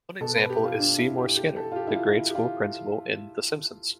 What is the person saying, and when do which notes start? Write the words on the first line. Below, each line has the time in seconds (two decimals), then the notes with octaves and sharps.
One example is Seymour Skinner, the grade-school principal in "The Simpsons".
0.21 B2 A4
0.35 B4
0.50 G4
0.65 F4
0.79 D4
0.98 E4
1.18 G4
1.37 G4
1.56 A4
1.72 F4
1.76 G4
1.87 E4
1.95 F4
2.15 E4
2.29 G4
2.35 F4